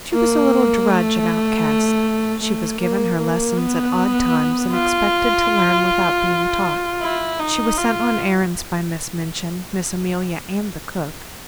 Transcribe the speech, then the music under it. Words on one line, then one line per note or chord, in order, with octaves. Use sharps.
She was a little drudge and outcast; she was given her lessons at odd times and expected to learn without being taught; she was sent on errands by Miss Minchin, Miss Amelia and the cook.
A#3
A3
A3
A#3
A#3
B3
F4
E4
D#4
F4